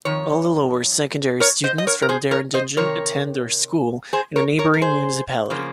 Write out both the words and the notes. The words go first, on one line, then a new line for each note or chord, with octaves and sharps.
All the lower secondary students from Derendingen attend their school in a neighboring municipality.
F2 D#3 C#5
A#4 C#5
C5 D#5
D#5
A#4 C#5
A#4
G#4 C5
A#4 C#5
C5 D#5
C3 D#3 A#4 C#5
G#4 C5
A#4 C#5
A#4 C#5
A#4
G#4 C5
C#3 F3 A#3